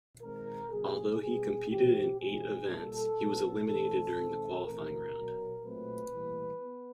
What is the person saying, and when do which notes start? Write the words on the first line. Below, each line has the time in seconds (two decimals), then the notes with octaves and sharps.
Although he competed in eight events, he was eliminated during the qualifying round.
0.23 D#3 G#3 C4 A#4
0.72 C#3 F#3 A#3 G#4
1.21 B2 G3 B3 G#4
1.70 A2 E3 A3 C4 G4
2.19 E3 G#3 C4 G#4
2.68 A#2 G3 A#3 A4
3.18 A#2 F#3 B3
3.67 E3 A3 C4 A4
4.17 D#3 G#3 C4
4.65 A2 E3 A3 C4 A#4
5.15 B2 F#3 B3
5.64 A#2 F#3 A3 C4 B4
6.13 A2 E3 G3 A#3
6.62 B3